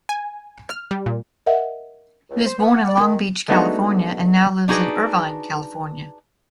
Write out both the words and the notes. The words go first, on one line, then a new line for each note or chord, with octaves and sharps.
He was born in Long Beach, California and now lives in Irvine, California.
G#5
F6
G3
A#2
A#4 D#5 E5 F#5
C#2
C5
B3
F#5
D5
D#3
G#3 A3 B3 D4 D#4 F#4
D4 D#4 F#4 G#4 B4